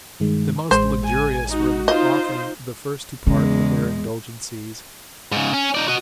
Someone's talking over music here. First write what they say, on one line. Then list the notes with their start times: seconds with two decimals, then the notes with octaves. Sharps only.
The most luxurious were often the first to part with their indulgencies.
0.20 G2 D#3 G#3
0.71 A1 G#3 C5
1.06 G#5
1.49 D#4 F#4
1.88 D#4 F4 C5 D#5
3.27 E2 C#3 G#3
5.32 G#2 C#3
5.54 C#4
5.75 D#4 D5
5.88 F#4 D#5